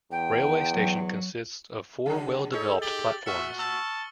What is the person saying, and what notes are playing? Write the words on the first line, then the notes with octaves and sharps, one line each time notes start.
Railway station consists of four well developed platforms.
E2 G5
F#3
C#3 F#3 G#4
D#4 G#4 A4 C#5
G4 A6 F#7 G7
A2 F#4 E5 C#6 F6 C#7
A5 E6 F#7